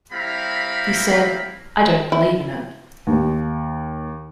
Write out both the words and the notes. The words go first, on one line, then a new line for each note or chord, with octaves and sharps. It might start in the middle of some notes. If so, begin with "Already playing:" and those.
He said, I don't believe in it.
G3 C4 E4 F5 A#5 B5
E4
D#2